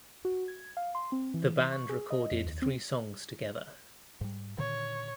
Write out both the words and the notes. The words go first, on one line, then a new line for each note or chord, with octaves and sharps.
The band recorded three songs together.
F#4
G#6
F5
C6
C4
E3
C#6
G#4
D#5
F2
D#2
C4
G#2 G3
A#2 D3 D#3 C#5